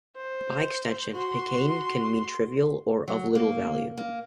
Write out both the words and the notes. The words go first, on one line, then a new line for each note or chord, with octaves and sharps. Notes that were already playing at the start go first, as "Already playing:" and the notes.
By extension, picayune can mean "trivial" or "of little value".
C5
F#4 C6
F#3
A#3
A#3